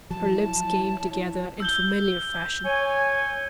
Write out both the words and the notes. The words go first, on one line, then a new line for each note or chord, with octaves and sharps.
Her lips came together in familiar fashion.
F3 F#3 E4 C#5 A5
E6 G6 G7
C#5 G#5